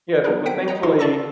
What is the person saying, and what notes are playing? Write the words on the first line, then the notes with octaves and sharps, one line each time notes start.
Yeah, but, thankfully,
F#3 B3 D4 G#4 A#4 B4
C4 F#5 B6 D7
D#5 F#5 G5 A#5
D#4 F4 F#4 A4 C6 D6
C#5 D5 A5 C#6 E6 A#6